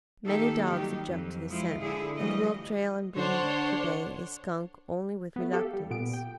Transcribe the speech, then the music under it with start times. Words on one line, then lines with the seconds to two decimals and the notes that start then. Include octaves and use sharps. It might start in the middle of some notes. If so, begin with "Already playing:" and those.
Many dogs object to the scent and will trail and bring to bay a skunk only with reluctance.
0.24 D#3 A#3 G4 A4
0.67 D#3 F#3 G3 G4
1.06 F2
1.49 F3 G#3 E4 F4
1.80 D3 E4 G#4
2.17 E3 F3 G3 A3 D#5
3.16 D3 D4 C5 C#5 F#5
5.36 A3 B3
5.53 G4 A4 F5
5.73 G3
5.91 A#2 B3 D7
6.13 G5